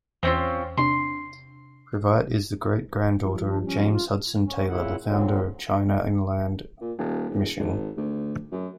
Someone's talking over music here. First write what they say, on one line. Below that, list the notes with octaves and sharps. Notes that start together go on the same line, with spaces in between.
Previte is the great-granddaughter of James Hudson Taylor, the founder of China Inland Mission.
E2 C4 C#4 F4
C3 D4 C6
F3 G3
D4
C#4
F4
C#4
A#2 C#3 E4 F#5
A#2 D3 F#3 C4
A#2
D#1
E1
G#1
D2
F#2